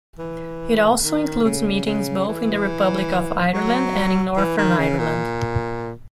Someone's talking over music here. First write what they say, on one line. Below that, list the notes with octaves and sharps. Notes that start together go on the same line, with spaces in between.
It also includes meetings both in the Republic of Ireland and in Northern Ireland.
E3
D#3
C#3
C#3
E3
F#3
E3
D#3
C#3
A#2